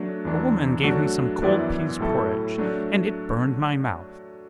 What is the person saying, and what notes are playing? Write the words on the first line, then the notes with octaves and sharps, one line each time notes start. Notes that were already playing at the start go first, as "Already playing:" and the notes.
"A woman gave me some cold pease porridge, and it burned my mouth."
Already playing: F#3 A3 D4
E2 E3 D4
F#3 A3 D4 F#4
F#2 E3 B3 E4 D5
A2 F#3 A3 E4 A4
F#3 A3 D4